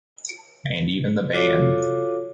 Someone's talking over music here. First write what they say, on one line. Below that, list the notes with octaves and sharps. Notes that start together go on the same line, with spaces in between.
And even the ban.
F4 F#4 A4 C#5 F5 D6